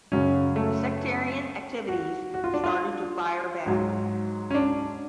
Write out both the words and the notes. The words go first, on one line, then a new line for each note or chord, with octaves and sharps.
The sectarian activities started to fire back.
F#2 C#3 F#3 C#4
A3
F#4
F#4
F4
D4
F4
G#2 F#3
C#4
D4